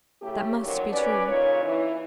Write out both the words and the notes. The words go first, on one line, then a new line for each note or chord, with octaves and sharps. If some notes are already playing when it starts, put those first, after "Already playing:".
That must be true.
A2 C#3 A3 G4
F2 A#2 D#3 F#3
C#4 B4 D5
A#2 C#3 D#4 C#5
E3